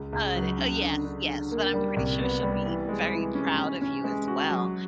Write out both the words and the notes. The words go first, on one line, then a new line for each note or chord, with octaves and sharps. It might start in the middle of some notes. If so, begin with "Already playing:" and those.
Uh, de uh, yes, yes, but I'm pretty sure she'll be very proud of you as well.
Already playing: C#2
C#2
F#3
C#3
D3
D3
D3
A#3
G3
C2
B3
G3
E3
G#3
E3
C#4
C#4
C#4
G#3
F#4
F#3